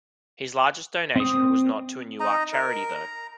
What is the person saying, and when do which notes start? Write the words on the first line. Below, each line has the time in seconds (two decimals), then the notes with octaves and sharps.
His largest donation was not to a Newark charity though.
1.16 C4 D#6
2.20 D#4 D#5 A#5
2.53 A#4
2.95 A#5